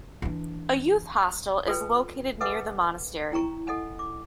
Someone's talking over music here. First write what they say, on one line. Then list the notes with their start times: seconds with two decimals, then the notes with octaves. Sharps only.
A youth hostel is located near the monastery.
0.22 E3 D4
1.66 F4 A4 B4 G5
2.41 A4 B4 E5 F#5 G#5 D6
3.32 E4 G5 A#5 C#6
3.67 A4 D#5 F#5 G#5
3.99 D6